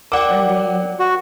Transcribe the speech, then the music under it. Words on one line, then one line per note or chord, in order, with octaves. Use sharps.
And the
A#4 D5 F#5 G5 D6
F#4